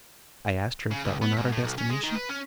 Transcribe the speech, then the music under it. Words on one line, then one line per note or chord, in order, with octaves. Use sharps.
I asked her if that were not our destination?
C#3
C#2
B3
G#2
A2
B1
C#4
G#3
D#3
B4
C#4